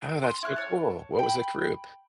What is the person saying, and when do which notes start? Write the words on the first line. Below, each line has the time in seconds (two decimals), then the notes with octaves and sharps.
Oh, that's so cool. What was the group?
0.24 C6
0.43 E4 C#6 F6 F#6
0.56 C#5 A5
1.19 G5 B5